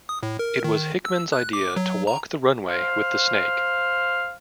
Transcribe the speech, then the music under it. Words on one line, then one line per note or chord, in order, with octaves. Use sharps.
It was Hickmann's idea to walk the runway with the snake.
D#6
A2
A#4
D#3
E6
F#6
D6
F#3
A#5
C5 F5